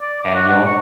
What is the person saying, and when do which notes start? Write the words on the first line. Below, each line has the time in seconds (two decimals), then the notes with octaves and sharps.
and you won't
0.01 D5
0.22 D6
0.35 F#4
0.49 F#5
0.65 C#6